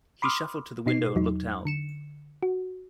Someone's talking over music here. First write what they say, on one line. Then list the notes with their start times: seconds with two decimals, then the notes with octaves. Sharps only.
He shuffled to the window and looked out.
0.22 B5 C6 D6 D#6 F6
0.86 B2 D#4 C7
1.15 E2 F#3 D#4
1.65 D3 C#7 E7
2.43 F#4